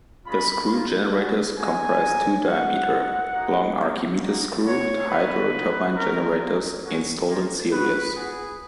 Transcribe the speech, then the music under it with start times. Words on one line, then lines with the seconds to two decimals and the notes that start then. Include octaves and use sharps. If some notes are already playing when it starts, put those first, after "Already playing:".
The screw generators comprise two diameter, long Archimedes' screw hydro-turbine generators installed in series.
0.26 G#3 C#4 F4 B5
0.70 A#3 F4
1.14 G#3 C#4 F#4
1.58 A#3 C#4 F#4 G#5
2.02 A#3 D#4 F#4
2.45 G#3 C#4 F#4 F#5
2.90 G#3 B3 D#4 F#4
3.33 A#3 D#4 F#4
3.77 A#3 C#4 F4
4.21 A#3 D#4 F#4
4.64 A#3 C#4 F#4 C#5
5.08 G#3 B3 D#4 F#4 B4
5.53 G#3 D#4 F#4
5.96 B3 F#4 A#4
6.41 A#3 F4
6.84 G#3 C#4 F#4
7.28 A#3 F4
7.72 B3 F#4 B4
8.15 B3 F#4 G#4